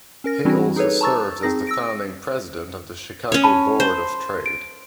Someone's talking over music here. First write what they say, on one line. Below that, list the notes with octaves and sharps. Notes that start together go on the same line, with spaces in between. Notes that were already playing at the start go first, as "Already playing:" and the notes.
He also served as the founding president of the Chicago Board of Trade.
C#4 A#4 A#6
E3 G3 C4 D4 E4 F#4
D#4 G#4 A4 B4 C#5
A5 A#5 C#6 E6 A6
C4 D#4 G#4 A#6
E6 A#6 D7
C#4 C#5
A5 B5
C5
D7